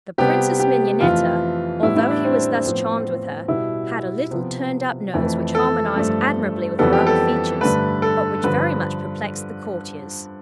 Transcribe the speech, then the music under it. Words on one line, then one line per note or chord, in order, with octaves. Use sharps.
The Princess Mignonetta, although he was thus charmed with her, had a little turned-up nose which harmonized admirably with her other features, but which very much perplexed the courtiers.
C3 G3 B3 G4
G4
F2 E3 A3 F4
A2 G3 B3 E4
E4
D4
C4
A2 F3 B3
B2 G3 B3 E4
C3 F3 B3
F2 E3 A3
A4
G2 F3 A3
F2 E3 G3 B3 A4
G4
A4
G2 D3 A3 B4
A4
G2 D3 F3 B4